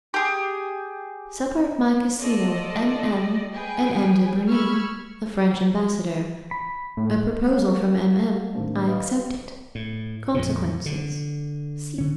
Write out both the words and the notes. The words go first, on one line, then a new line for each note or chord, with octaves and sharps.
Supper at My Casino With M. M. and M. de Bernis, the French Ambassador-- A Proposal from M. M.; I Accept It--Consequences--C.
G4 G#4
F4 A4 D5 D#5
G#4 B4 G5 G#5
B5 C#6 E6 F6 G#6
B5
A2
G#3 A#4 F5 F#5
A2 D#3 G3 A#3 C4 D4
B4 D#5 F5
A2
F2 A#2 C#3
D3
D3 C#4